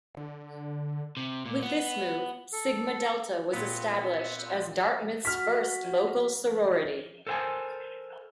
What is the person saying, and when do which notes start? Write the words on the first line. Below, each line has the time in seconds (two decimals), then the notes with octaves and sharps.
With this move, Sigma Delta was established as Dartmouth's first local sorority.
0.17 D3
1.17 C3
1.46 A#2
1.63 B3
2.53 A4
3.53 A#2 B3 C4 F4
5.25 F#4 F6 B6
7.27 A4 A#4 C5 F#5 G#5 A5